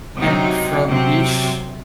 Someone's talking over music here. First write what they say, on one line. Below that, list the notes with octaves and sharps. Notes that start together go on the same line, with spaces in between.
and from each
C3 F#3 C4 D#4
C3 F#3 C4